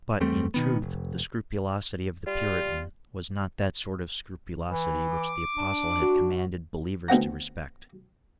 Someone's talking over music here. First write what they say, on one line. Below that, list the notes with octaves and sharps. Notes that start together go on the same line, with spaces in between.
But, in truth, the scrupulosity of the Puritan was not that sort of scrupulosity which the Apostle had commanded believers to respect.
E2 G3 A3 C4
B2 D#3 B3
F1
G3 F4
E3
D6
D4
F#4
D2 B3 C4 F#5 A#5